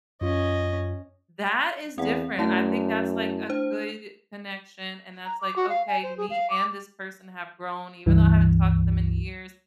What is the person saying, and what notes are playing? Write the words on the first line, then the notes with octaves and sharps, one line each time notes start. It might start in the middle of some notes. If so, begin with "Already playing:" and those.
That is different. I think that's, like, a good connection, and that's like, "Okay, me and this person have grown, even though I haven't talked to them in years,
F#2 C#4 F4 D#5
E2 C4 F#5
F#2 A3 E4 A5
D4 C5
A#5
D6
F#4
F5
G#5
C5
G#4
F5
D6
C#2 G2 E3